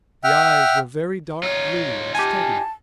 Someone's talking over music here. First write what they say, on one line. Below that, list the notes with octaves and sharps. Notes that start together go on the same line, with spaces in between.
The eyes were very dark blue and steady.
E5 F#5 G5 F6
D#4 F4 C#5
G4 G#5 A5